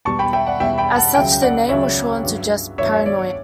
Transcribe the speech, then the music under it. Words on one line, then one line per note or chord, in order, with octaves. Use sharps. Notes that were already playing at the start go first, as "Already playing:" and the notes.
As such, the name was shortened to just "Paranoia".
E2 B2 G3 A5 C#6
G5 B5
E5 G5
D5 F#5
E2 B2 G3 E5 G5
G5 B5
F#5 A5
C#2 C#3 F#3 E5 G5
G5
D5 F#5
C#2 C#3 F#3 C#5 E5
G2 F#3
G2 F#3 C#5 E5
D5
C#5